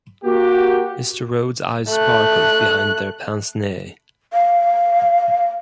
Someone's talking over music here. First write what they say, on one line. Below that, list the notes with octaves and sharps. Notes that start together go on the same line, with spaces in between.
Mr. Rhodes's eyes sparkled behind their pince-nez.
A#3 F#4 G4
A3 F#6
F5